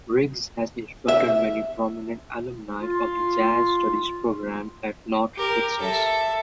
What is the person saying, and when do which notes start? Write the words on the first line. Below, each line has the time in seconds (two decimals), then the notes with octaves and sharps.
Riggs has instructed many prominent alumni of the Jazz Studies program at North Texas.
1.08 E5
2.81 F4
5.35 G4 A#4
5.79 A4 E5